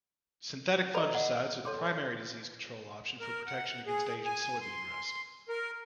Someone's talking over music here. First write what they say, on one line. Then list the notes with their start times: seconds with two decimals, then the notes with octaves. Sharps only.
Synthetic fungicides are the primary disease control option for protection against Asian soybean rust.
0.94 A4 B4 D5 D#5 A#5 B5
1.15 D#5 F#5
1.65 A4 C#5 C6 D6
3.20 A#4
3.46 F#5
3.86 G#4
4.25 G#5
4.61 C6
5.49 A#4